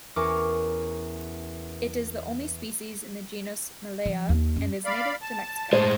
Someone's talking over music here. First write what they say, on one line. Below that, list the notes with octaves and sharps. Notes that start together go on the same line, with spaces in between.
It is the only species in the genus Malea, and is native to Mexico.
E2 C#4 A#4 C#6 D6
F3
D#2
F#2
D5 F5 B5
A5
A2 G#3 C5